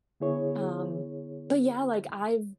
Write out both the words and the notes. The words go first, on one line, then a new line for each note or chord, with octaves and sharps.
um, but yeah, like I've
D3 B3 E4 G#4 C#5